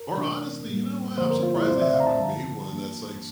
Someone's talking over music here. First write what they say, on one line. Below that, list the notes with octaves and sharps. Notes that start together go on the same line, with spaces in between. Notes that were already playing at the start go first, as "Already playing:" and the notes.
Or honestly, you know what? I'm surprised they haven't made one that's, like,
Already playing: A#4
C3 E3 A3 D4
A2 G3 A#3
G2 D3 F3 A#3 C5
A#4
F4
E4
C2 A#2 A3 C4 C5
D5
E5
F5
A#5
A5
G2 D3 F3
G2 E3 A#3 D4